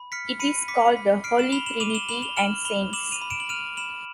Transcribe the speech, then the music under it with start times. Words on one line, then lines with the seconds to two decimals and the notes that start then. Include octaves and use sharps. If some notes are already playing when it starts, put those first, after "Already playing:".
It is called the Holy Trinity and Saints.
Already playing: B5
0.12 F6 B6 C#7
0.40 B5 C#7 D#7
0.68 D6 B6 C#7
0.97 B5
1.24 F6 C7 D7
1.38 E7 F#7
1.52 B5 F7 G7
1.66 E7 F#7
1.80 D6 D#7 F7
1.90 G7
1.95 E7 F#7
2.09 B5 E7 F#7
2.22 F7 G7
2.37 F6 E7 F#7
2.65 B5 F7 G7
2.93 D6 E7 F#7
3.12 D#7 F7
3.22 B5
3.30 D7 E7
3.40 F#7
3.49 F6 D#7 F7
3.77 B5 E7 F#7